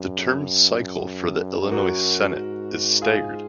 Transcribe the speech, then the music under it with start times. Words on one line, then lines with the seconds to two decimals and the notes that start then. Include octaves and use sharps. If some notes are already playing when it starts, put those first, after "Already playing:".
The term cycle for the Illinois Senate is staggered.
Already playing: F#2
1.72 F#4 A#4
2.36 G#2
3.02 F4 G#4